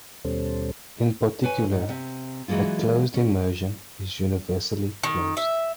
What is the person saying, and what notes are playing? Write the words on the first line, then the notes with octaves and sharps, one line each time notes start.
In particular, a closed immersion is universally closed.
D#2 B2 G3 C#4 A4 C5
B4 C#5 G#5
G#2
C3
E3 F#3 G#3 A#3 F4
C#4
D#3
E5